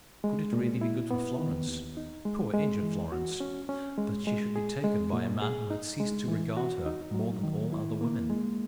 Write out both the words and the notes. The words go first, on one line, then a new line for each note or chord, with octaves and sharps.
Could it really be good for Florence--poor injured Florence, that she should be taken by a man who had ceased to regard her more than all other women?
G#3
A#2
E4
B3
D#3
D#2
D#4
G#3
G#3
E3
F#4
C#4
C#4
G#3
G#3
G#4
G#3
A#2
G#4
D#4
G#3
E3
F#4
D#4
F#3
D#3
E4
A#3
G#3